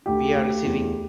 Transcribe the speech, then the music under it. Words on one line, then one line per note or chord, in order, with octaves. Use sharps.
We are receiving.
D2 G4
D2
E2